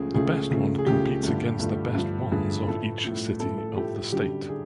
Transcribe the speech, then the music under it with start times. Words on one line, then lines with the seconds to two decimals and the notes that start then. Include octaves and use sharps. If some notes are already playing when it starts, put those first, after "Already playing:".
The best one competes against the best ones of each city of the state.
Already playing: C#2 C#3 F3 A3 G#4
0.15 C#2 C#3 F3 A3 G#4
0.51 C#2 C#3 F3 A3
0.79 G#4
0.86 C#2 C#3 F3 A3 G4
1.23 G2 D3 F3 A3
1.60 G2 D3 F3 A3
1.95 G2 D3 F3 A3
2.31 G2 D3 F3 A3 G#4
2.68 A2 F3 A3 A4
3.04 A2 F3 A3
3.40 A2 F3 A3 A4
3.58 A4
3.76 A2 F3 A3 G4
4.12 F#2 D3 G3 G4
4.49 D3 G#4